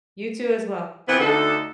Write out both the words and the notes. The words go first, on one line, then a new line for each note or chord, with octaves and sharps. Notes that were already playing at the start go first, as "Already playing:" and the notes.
You too as well.
C3 E3 F3 B3 C4 B4
D2 D3 D#4 A4